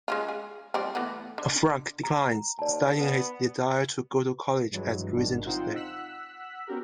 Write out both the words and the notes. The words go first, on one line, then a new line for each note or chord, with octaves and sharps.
Frank declines, citing his desire to go to college as reason to stay.
G#3 C#4 F4
G#4
F3 G3 C4
E3 A3 B3
D3
A#5
D#2 D5 A5
B3
G2 E3 F#3 G#3
G#1 D#3 G3 D4
C4 D#4 F4 C5 F#5 G5
F#5 E6 F#6 B6
B3 C#4 F#4 G4 A#4